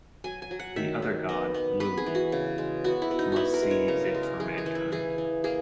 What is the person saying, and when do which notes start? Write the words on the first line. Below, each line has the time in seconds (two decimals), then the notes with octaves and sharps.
The other god - Lugh - must seize it for mankind.
0.24 F#3 G#5
0.42 G#5
0.51 F#3
0.59 F#5
0.76 D#3 E5
1.02 D#3
1.29 B3 D#5
1.54 B3
1.80 B3 B4
1.97 G#4
2.06 E3
2.15 F#4
2.32 C#3
2.58 G#3
2.84 B3 F#4
3.02 E4
3.11 B3
3.19 D#4
3.32 B3 E4 F#4
3.54 A#4
3.62 G#3
3.71 C#5
3.88 C#3 A#5
4.14 G#3
4.23 A#4
4.40 E3 G#4
4.58 G#4
4.66 E3
4.75 E4
4.92 E3 G#4
5.18 E3
5.44 A#3 G#4